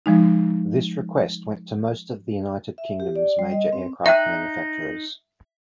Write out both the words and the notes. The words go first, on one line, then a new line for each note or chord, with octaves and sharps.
This request went to most of the United Kingdom's major aircraft manufacturers.
F3 G#3 D#4
E5
G4
D5
G3
D#5
C4
D#4 E5 G5 F#6